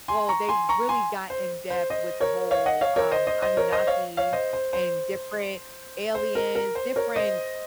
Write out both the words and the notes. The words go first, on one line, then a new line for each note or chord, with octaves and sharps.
well, they really got in depth with the whole, um, Anunnaki, and different aliens, different
G#5 C6
A#5 C#6
G#5 C6
A#5 C#6
G#5 C6
C5
C5
C5 D#5
A#4 C#5
C#5 F5
D#5 F#5
C#5 F5
A#4 C#5
C5 D#5
C5 D#5
C5 D#5
A#4 C#5
C5 D#5
C#5 F5
C#5 F5
C5 D#5
C5
C5
C5
A#4
A#4
C5
A#4 C#5
C5 D#5